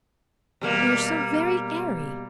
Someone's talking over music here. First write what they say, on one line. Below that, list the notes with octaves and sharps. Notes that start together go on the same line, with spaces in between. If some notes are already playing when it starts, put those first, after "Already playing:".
We are so very airy!
B2 G3 A#3